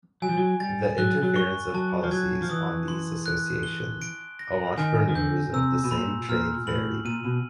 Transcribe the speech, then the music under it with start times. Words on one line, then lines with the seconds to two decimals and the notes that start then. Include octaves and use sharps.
The interference of policies on these associations of entrepreneurs of the same trade varied.
0.22 F#3 G#5
0.29 F3
0.37 F#3
0.60 G3 A6
0.98 F#3 F#6
1.23 F#3
1.36 C#6
1.74 F#3 A5
2.03 F3
2.11 F#3 G#6
2.42 F3
2.50 E3 D#6
2.88 C6
3.26 F#6
3.63 G7
4.02 D7
4.39 A#6
4.77 D#3 G#5
5.09 D#3
5.15 D3 G6
5.53 C3 E6
5.84 B2
5.91 A#2 B5
6.29 A#2 F6
6.67 A2 F#7
7.05 A#2 D#7
7.25 B2